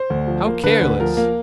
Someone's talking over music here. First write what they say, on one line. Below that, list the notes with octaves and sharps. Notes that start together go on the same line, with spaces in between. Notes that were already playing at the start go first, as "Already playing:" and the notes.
How careless!
Already playing: C5
D2
F3
A#3
D3 B4
D2
F3 A#4
A#3